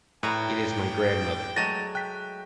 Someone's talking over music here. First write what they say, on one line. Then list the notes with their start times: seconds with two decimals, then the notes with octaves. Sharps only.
It is my grandmother.
0.23 A2 D4 B4 E5 G5 A#5
1.56 F#3 G#3 A3 A6 A#6 D#7
1.95 G5 F#6 B6